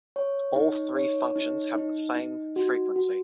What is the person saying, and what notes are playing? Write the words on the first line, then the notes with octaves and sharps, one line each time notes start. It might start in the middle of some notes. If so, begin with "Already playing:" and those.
All three functions have the same frequency.
C#5
D#4
C#5
D#4
D#4
D#4
F#4
F#4